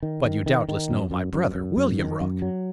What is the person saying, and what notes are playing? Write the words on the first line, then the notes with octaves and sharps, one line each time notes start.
But you doubtless know my brother, William Rugg.
D#3
D#3
D#3
D#3
F#2
F#2
F#2
F#2
F#2
D#3
F#2
F#3